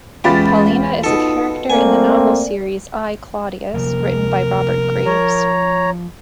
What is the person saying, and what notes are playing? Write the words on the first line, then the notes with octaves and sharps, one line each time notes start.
Paulina is a character in the novel series, I, Claudius written by Robert Graves.
E2 G#3 C#4 F4 G4 B5 A6
B2 D#4 A4 D#6
A3 A#3 C4 D5 G#5
C3 F3 A#3 A#4
F3 C#5 A#5